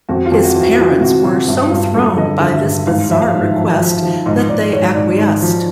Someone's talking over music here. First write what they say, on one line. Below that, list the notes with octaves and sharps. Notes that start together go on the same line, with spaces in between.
His parents were so thrown by this bizarre request that they acquiesced.
F2 F#4
F4
F2
F#4
E3
F#4
E3 F4
C3 F#4
C3 F4
G2 E4
G2 F4
G2 A4
D3 D#5
D3
E5
G2
G#2 F5
F3 E5
F5
G#2
F3
F3
F3
G#2 D#5
G#2 D5
G#2 C#5
G#2 D5
G#2
F3